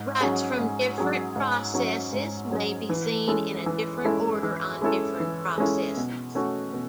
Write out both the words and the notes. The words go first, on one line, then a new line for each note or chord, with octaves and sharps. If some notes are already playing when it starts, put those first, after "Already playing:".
Writes from different processes may be seen in a different order on different processes.
Already playing: G#2
F#3 C#4 G#4
G#2
F#3 C#4 G#4
G#2
F#3 C#4 G#4
G#2
F#3 C#4 G#4
E3
G#3 C#4 E4 A4
E3
G#3 C#4 E4 A4
E3
G#3 C#4 E4 A4
E3
G#3 C#4 E4 A4
B2
A3 C#4 F#4
B2